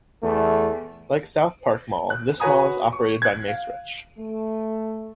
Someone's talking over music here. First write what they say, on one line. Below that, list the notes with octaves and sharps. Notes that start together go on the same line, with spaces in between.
Like SouthPark Mall, this mall is operated by Macerich.
E2 A3
F#6
F#4 B4 C#5 G#5 A#5 D#6
C#6
F#6 G#6
F5
A3